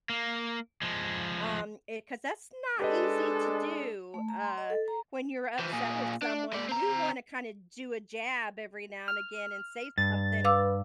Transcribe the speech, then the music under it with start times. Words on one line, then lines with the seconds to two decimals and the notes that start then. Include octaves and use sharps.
um, eh, 'cause that's not easy to do, uh, when you're upset with someone, you wanna kinda do a jab every now and again and say something, f
0.10 A#3
0.82 F3 G#3
2.80 G#3 D4 G4 A4 B4 D#5
4.14 A3
4.29 A#5
4.44 C6
4.58 D#5
4.70 A4
4.88 A#5
5.59 E3 F3
5.73 A#2 G#4
6.22 D4
6.53 G#3 D5
6.69 C4 A#5
9.08 F6
9.98 G2 A6
10.45 B4 F5 D6 E6